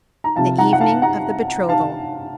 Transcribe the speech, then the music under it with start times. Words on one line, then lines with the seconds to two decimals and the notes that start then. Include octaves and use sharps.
The Evening of the Betrothal.
0.24 A#5
0.36 C3 F3 F5 A5
0.58 F#5 A#5
0.73 F#5
0.81 F5 A5
1.02 F#5 A#5
1.69 F5 A5